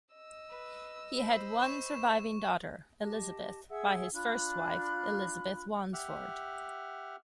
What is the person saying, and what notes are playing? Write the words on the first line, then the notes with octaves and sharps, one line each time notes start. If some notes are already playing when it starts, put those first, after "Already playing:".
He had one surviving daughter, Elizabeth, by his first wife, Elizabeth Wandesford.
D#5 E6
B4
C5 B5
C#6 E7
G4 D#5 A5
G#4 E5 F#5 E6
D4 F4 B5 F#6
G4 E5 F#5 F6